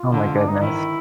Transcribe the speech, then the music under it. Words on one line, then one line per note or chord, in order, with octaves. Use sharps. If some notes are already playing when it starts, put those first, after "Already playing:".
Oh my goodness.
Already playing: F4
D3
D4
D#4
D#3 E4